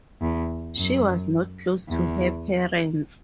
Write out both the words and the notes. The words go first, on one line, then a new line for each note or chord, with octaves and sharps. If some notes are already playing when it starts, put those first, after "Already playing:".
She was not close to her parents.
E2
F#2
E2